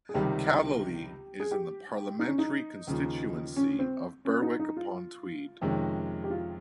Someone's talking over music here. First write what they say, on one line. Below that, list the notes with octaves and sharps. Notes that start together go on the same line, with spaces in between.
Callaly is in the parliamentary constituency of Berwick-upon-Tweed.
G#4
C#2 C3 D#3 G3 G4
G#4
G4
D#4
C#4
D#4
D#2 C#3 F3
C#4
C4
C#4
D#4
D#4
F4
F2 C3 D#3 G#3 C#4
G4
F4